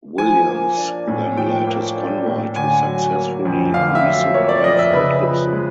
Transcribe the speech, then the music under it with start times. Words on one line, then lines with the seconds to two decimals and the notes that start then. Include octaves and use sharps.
Williams then led his convoy to successfully resupply Fort Gibson.
0.18 F3 G#5
0.48 A#3
0.77 D4
1.07 A2
1.37 F3 G5
1.67 A#3
1.96 D4
2.26 A2
2.56 D3 G#5
2.86 F#3
3.15 A#3
3.45 F2
3.74 D3 F5
3.95 E5
4.04 F#3
4.34 A#3 C#5
4.49 D5
4.64 F2 D#5
4.79 E5
4.93 C#3 B4
5.23 F3
5.53 G#3